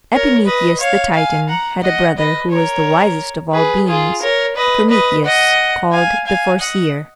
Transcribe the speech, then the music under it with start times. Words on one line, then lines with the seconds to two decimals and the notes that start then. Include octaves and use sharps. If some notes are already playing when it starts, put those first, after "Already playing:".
Epimetheus the Titan had a brother who was the wisest of all Beings--Prometheus called the Foreseer.
0.13 A#4 C#5
0.46 B4 D#5
0.81 C#5 F5
1.15 F5 G#5
1.49 F#5 A#5
1.83 D#5 F#5
2.18 B4 D#5
2.51 A#4 C#5
3.53 G#4 B4
3.87 F4 G#4
4.22 A#4 C#5
4.56 B4 D#5
4.90 B4 D#5
5.24 D#5 F#5
5.93 F5 G#5
6.27 F5 G#5
6.60 D#5 F#5